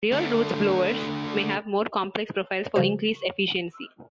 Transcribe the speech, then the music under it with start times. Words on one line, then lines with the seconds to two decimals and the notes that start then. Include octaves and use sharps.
Real Roots blowers may have more complex profiles for increased efficiency.
0.12 D3 A3
2.76 C#3 F3 G3 F#4 C5